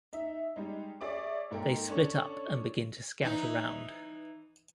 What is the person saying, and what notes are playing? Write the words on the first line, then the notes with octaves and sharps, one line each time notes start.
They split up and begin to scout around.
D#4 E5
G3 G#3 D#4
G#4 C#5 D5 E5 D6
G#2 A#3 A4 A#4 G5
C#4 D4 A4 C#5
E3 D#4